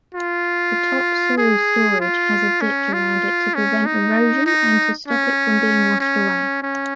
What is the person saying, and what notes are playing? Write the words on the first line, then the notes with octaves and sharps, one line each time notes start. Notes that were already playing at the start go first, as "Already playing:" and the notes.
The top soil storage has a ditch around it to prevent erosion and to stop it from being washed away.
F4
G#4
F4
C#4
F4
C#4
D#4
D#4
C#4
C#4
C#4